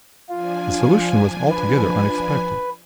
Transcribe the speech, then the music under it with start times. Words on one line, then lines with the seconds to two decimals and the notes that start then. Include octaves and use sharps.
The solution was altogether unexpected.
0.29 F3 D4 F4 G#5
1.51 B4